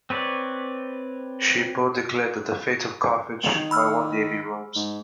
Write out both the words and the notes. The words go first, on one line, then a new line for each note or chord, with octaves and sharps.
Scipio declared that the fate of Carthage might one day be Rome's.
C4 B4 C#5 D5
D#3
B5 E6 F6
G#2